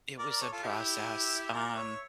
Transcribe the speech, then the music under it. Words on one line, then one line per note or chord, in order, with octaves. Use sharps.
It was a process, um
A#4 D5
A#4 D5
A4 C#5
F4 A4
E4 G4
A#4 D5
C#5 E5